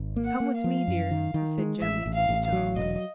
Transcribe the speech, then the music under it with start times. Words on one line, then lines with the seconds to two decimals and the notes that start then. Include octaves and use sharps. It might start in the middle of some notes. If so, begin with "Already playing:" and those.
"Come with me, dear," he said gently to the child.
Already playing: G#1
0.16 A#3
0.25 F#5
0.40 A#3
0.55 F5
0.64 F3
0.88 F#2
1.11 D#3
1.34 D#3
1.58 G#3
1.81 A1 E5
2.06 A1
2.14 F5
2.29 A1
2.45 F5
2.53 F#3
2.76 E1 D#5